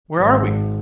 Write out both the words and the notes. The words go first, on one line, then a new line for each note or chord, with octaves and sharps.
"Where are we?"
G#1